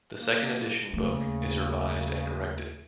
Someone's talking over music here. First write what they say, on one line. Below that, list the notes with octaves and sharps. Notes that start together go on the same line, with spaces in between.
The second edition book is revised and corrected.
A#3
D#2 C#3 A3